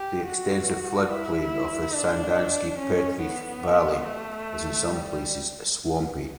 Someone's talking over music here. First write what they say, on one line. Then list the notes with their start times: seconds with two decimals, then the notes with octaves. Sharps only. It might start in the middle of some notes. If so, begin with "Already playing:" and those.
The extensive floodplain of the Sandanski–Petrich Valley is in some places swampy.
Already playing: G4
0.26 F#4
1.10 E4
1.94 D4
2.78 C#4
3.20 B3
4.04 A3
4.88 G3